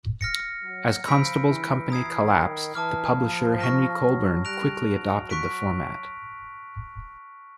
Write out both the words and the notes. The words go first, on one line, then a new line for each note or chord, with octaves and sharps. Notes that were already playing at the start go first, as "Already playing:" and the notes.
As Constable's company collapsed, the publisher Henry Colburn quickly adopted the format.
F6 A#6 C#7
F#3
F3 B5 E6 G6 B6 D7
E3
E3 A#5 D#6 G#6 C7
D#3
E3 A5 D6 F6
F3
C#6 F6 A#6
F#3
G3 F#6 A#6 D7 F7
F#3
C#6 F#6 B6 D7